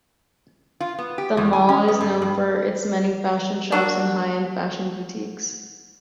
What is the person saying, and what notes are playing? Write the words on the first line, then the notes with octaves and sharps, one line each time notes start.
The mall is known for its many fashion shops and high-end fashion boutiques.
F4
B3
G4
E2
G#5
C#4
B3
G2
G2
A#3 D4 F#4